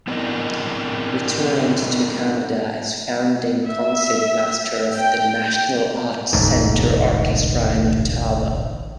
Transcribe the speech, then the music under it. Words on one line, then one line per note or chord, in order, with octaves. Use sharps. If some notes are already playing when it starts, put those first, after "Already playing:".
Returned to Canada as founding Concertmaster of the National Arts Centre Orchestra in Ottawa.
B3 C4 D4 E4 A#4 D#5
E5
G5
E1 A1 D2 G#2